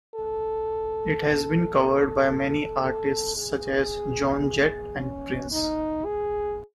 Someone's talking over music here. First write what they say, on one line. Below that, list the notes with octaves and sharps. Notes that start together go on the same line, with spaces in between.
It has been covered by many artists such as Joan Jett and Prince.
A4
A4
A4
G#4
C#4
D#4
G#4